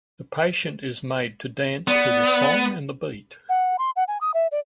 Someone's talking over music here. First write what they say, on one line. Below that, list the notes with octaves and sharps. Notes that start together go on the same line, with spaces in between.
The patient is made to dance to the song and the beat.
B3 D5
F#5
C6
F#5
G#5
D#6
E5
D5